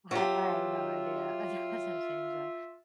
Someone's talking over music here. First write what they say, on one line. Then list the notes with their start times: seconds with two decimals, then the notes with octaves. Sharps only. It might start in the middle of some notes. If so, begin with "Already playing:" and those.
I I have no idea. It doesn't seem so.
0.11 F#3 F4 G4 E5